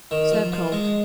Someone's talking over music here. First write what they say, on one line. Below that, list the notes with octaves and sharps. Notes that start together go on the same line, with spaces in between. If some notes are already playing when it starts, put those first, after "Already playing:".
Serve cold.
D#3
F3
F3
G#3